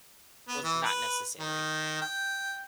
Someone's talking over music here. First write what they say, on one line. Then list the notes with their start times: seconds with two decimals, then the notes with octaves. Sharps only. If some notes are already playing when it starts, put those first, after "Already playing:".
was not necessary?
0.49 B3
0.64 E3
0.84 B4
1.40 D#3
2.02 G5